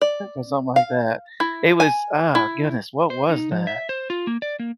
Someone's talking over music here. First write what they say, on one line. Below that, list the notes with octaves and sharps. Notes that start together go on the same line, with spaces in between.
or something like that. It was uh, goodness. What was that?
D5
F5
E4
G#5
E4
C5
D#4
F3
E5
C5
F4
A#3
D5
A#3